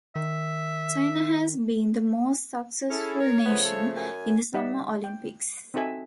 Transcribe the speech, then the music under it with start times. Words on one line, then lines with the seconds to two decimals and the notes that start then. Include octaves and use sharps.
China has been the most successful nation in the Summer Olympics.
0.16 D#3 E5
2.90 C#4 E4 G#4 A4
3.20 A#4 C#5
3.45 C#3 F3 A3 B3
3.65 A4
3.96 F#2 G#5
4.54 G3 D#4 G4 D5 E5 F#5
5.04 G5
5.74 C4 D#4 F#4 A4 E5 G#5